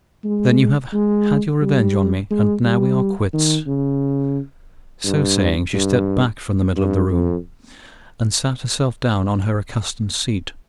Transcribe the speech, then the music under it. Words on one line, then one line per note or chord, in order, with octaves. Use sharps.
"Then you have had your revenge on me, and now we are quits." So saying, she stepped back from the middle of the room, and sat herself down on her accustomed seat.
G#3
G#3
G3
G#3
G3
D#3
C#3
G2
G2
G2
F2